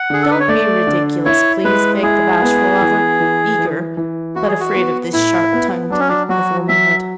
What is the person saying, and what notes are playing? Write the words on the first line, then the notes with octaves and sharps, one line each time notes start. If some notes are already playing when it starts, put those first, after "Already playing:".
Don't be ridiculous, please,' begged the bashful lover, eager, but afraid of this sharp-tongued bit of womanhood.
Already playing: F#5
D3 G#4
A4
B4
C#5
A3 D5
D3
E4 C#5
G#3 B4
E4 G#4
B3
E3
E3
E3
E3
E4 F#4
G#4
F#4
B3
A2 E4
B3
F#3 D4
C#4
D4
F#3 F#4
F#3 E5